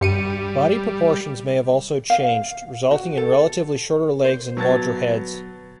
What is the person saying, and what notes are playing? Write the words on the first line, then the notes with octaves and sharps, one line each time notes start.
Body proportions may also have changed, resulting in relatively shorter legs and larger heads.
G2 G3 C#7 D#7
F5
F#4
A4
C5
F#3 B3 A5 G#6 A6